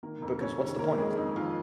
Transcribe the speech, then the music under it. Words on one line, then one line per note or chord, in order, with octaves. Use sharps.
Because what's the point of them?
D#3 A#3 A#4
F2 A#3 A#4
F2 C#4 C#5
D#3
D#3 A#3 A#4
F2 G#3 G#4
F2 D#4
D#3 F3 F4